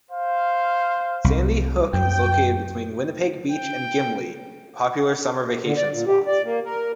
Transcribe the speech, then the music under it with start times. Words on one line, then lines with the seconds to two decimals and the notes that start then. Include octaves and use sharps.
Sandy Hook is located between Winnipeg Beach and Gimli, a popular summer vacation spot.
0.10 C5 F5
1.24 C2
1.93 F#2 G5
3.51 G5
5.64 D3
5.77 D5
5.92 A#2
6.07 G4
6.27 D5
6.44 A#3
6.65 A#4